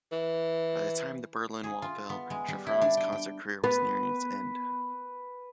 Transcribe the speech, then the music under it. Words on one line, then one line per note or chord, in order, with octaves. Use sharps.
By the time the Berlin Wall fell, Shafran's concert career was nearing its end.
E3
G#4
F4
B3
G#3
G3
E4
D4
G5
G5
B3 B4